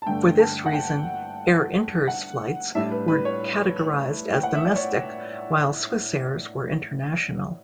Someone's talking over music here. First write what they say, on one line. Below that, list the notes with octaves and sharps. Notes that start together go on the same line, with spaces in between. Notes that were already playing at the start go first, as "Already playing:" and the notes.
For this reason, Air Inter's flights were categorised as domestic while Swissair's were international.
A5
G2 D3 A3 G5
A5
F#5
G5
F#5
A2 G3 D4 E5
B4
B4
C#5
G5
F#5
E5
D5
C#5